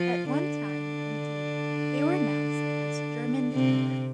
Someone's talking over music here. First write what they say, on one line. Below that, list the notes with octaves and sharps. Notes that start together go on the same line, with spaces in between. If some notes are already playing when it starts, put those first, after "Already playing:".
At one time, indeed, they were announced as German tinder.
Already playing: F3 F4
D3 D4
C3 C4